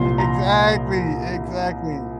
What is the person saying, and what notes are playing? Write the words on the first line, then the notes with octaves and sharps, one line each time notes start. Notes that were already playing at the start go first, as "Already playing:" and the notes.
Exactly, exactly.
Already playing: C2 A#2 F3 C6
A#5